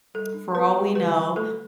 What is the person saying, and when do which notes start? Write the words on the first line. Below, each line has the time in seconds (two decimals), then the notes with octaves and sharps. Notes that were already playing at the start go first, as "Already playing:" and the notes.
for all we know,
0.14 G3 A4
0.34 D4
0.55 B3 B4
0.76 G3
0.95 D3 B4
1.16 C4
1.36 A3 A4